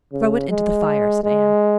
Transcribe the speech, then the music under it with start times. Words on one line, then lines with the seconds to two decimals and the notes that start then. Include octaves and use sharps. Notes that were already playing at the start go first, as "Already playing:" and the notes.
"Throw it into the fire," said Anne.
0.13 C#3
0.49 G#3
1.24 G#3